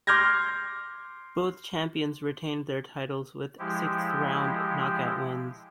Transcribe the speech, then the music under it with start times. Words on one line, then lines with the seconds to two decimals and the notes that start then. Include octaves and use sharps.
Both champions retained their titles with sixth-round knockout wins.
0.07 C6 D6 F6 G6 G#6 A#6
3.59 F3 G#3 E4 G4